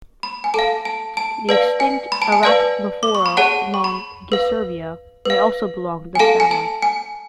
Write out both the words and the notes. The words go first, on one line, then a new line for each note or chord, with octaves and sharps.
The extinct "Archaeamphora longicervia" may also belong to this family.
B5
G#5
A4 F5 A5
A5
A5
B4 D5 F5 A5
G#5
B5
A5
G#5
B4 D5 F5 A5
D6
C#6
B5
G#4 C#5 F#5 A5
C#6
B5
B4 F5
B4 F5
G#5
A4 F5 A5
G#5
A5
G#5